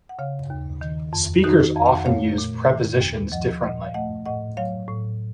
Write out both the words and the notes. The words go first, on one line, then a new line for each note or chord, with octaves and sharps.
Speakers often use prepositions differently.
F#5
C#3 C#5 F5
D#2
D#3
F2
D#3 D#4 F#4
F2
F5
F#5
A3 C#5 F5
A#2
D#3
D#2
F3 D#5 F#5
A#2 D#5 F#5
F5
A3 D#5 F#5
A2 D#5 F#5
F#3 C#5 F5
A2